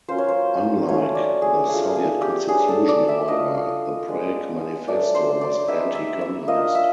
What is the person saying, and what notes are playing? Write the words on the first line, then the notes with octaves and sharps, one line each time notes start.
Unlike the Soviet Constitution, however, the Prague Manifesto was anti-communist.
F#3 A#3 C#4 F4 C5
C#5
C5
F#3 A3 C#4 C#5
D5
G#4
A3 D4 F4 G#4
G#4
G4
F#3 B3 D4 G#4
A4
D5
E5
A3 D4 F4 D#5
G#3 B3 D4
F#3 A3 D4 D5
C5
D5
G#3 B3 D#4 E5
E5
E5
A#3 D4 F4 D#5
E5